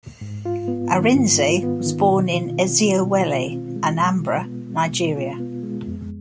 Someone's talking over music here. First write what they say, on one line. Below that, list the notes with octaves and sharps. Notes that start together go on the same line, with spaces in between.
Arinze was born in Eziowelle, Anambra, Nigeria.
G#2
F4
B3
D#3
G#2
F4
B3
D#3
B2
F4
C4
G#3
B2
F4
C4
G#3
B2
F4
B3
G#3
B2
F4
B3
G#3
F2